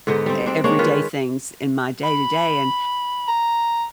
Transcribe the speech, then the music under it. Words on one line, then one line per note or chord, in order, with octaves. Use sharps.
everyday things in my day-to-day, and
G#2 D3 B3 D#4
G3 C4
C4 D4
G#3 A#3 D4 C#5
D#3 F4 B4
B5
A#5